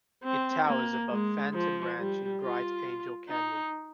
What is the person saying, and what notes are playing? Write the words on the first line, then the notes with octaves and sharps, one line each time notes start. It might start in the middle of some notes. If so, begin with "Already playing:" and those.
It towers above Phantom Ranch in Bright Angel Canyon.
C4
A#3
G#3
F3
G3
F4
D#4